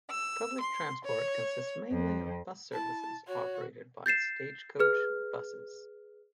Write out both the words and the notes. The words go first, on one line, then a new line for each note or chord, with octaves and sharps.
Public transport consists mainly of bus services operated by Stagecoach Buses.
E6
C6
C#5
F2
E4 A5
F#4 C#5
G6 A6 C7 E7
G#4 B4 F6